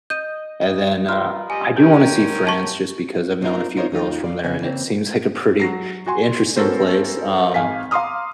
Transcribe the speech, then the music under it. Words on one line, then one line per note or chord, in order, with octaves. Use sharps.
And then, uh, I do want to see France just because I've known a few girls from there and it seems like a pretty interesting place, um,
D#5 G6 D#7
F4 A#4 B4 F6
G3 D#5 G#5
C#4 G4 A#4 G5
A5 C#6
B3 C4 D4 D#4 F4 A#4
D#4 F4 A#4 C5 C#5 D#5
D#2 D#4 F4 G5
F2 D5 F5
F2 C#3 B3 G#5
C#3 E3 A#3 C4
F#3 A#6 C7
F#4 G#5 C6
B3 C#4 F#4 A4 A#4 C5
G#1 F5 G#5 B6
F5 A#5 C6 D6 D#6 F6